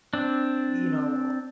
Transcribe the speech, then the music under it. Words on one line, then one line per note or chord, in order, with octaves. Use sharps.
you know,
C4 D4